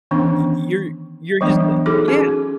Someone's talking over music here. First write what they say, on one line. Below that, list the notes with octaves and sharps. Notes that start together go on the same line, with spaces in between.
y y you're you're just a yeah.
D#3 E3 B3 C#4 D4
E3 F#3 G3 B3 D4
D#4 F#4 G#4 A4 D6
C#4 F#4 G#4